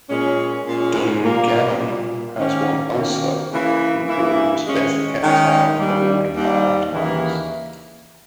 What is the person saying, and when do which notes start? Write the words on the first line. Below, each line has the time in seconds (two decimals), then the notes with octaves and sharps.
Dungannon has won Ulster in Bloom's Best Kept Town Award five times.
0.09 A#2 G#3 C#4
0.66 A#2 G#3 C#4
1.23 A#2 G3 A#3
1.80 A#2 G3 A#3
2.37 D#3 A#3 C#4
2.94 D#3 A#3 C#4
3.51 C#3 E3 A#3 E4
4.08 C#3 E3 A#3 E4
4.65 D#3 G#3 C#4
5.22 D#3 G#3 C#4
5.78 D#2 D#3 G3
6.35 D#2 D#3 G3
6.92 D#2 C#3 E3 A#3